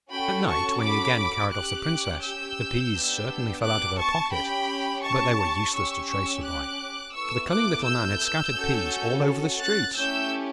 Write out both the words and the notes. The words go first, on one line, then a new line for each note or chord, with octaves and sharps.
At night, when he again carried off the Princess, the peas certainly fell out of her pocket, but they were useless to trace her by, for the cunning Little Man had scattered peas all over the streets.
C#4 F#4 A4 G5 B5
A5 C#6
B5 D6
C#4 G4 D6 F#6
E6 G6
B3 D4 G4
D6 F#6
A5 C#6
C#4 G4 G5 B5
A5 C#6
C#4 G4 C#6 E6
C#6 E6
D6 F#6
B3 E4 A4 C#6 E6
D6 F#6
E6 G6
C#4 F#4 A4
F#6 A6
A3 C#4 E4 G4 E6 G6